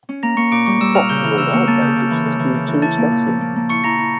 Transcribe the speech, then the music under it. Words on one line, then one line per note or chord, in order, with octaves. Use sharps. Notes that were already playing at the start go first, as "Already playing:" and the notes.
Fox ruled out Mel Gibson as being too expensive.
C#4
A#3 A#5 A#6
A#3 C#6 C#7
A#2 D6 D7
G3 C#6 C#7
G3 E6 E7
A#2 F6 F7
C#3 G6 G7
E3 F6 F7
C#3 E6 E7
A#3 C#6 C#7
A#3 A5 A6
C#3 G6
C#3
E3
C#3
E3
C#3
E3
E4 A5 A6
A#3
A#2
F3
A#3
A#3
E4 C#6 C#7
E4 A#5 A#6
E4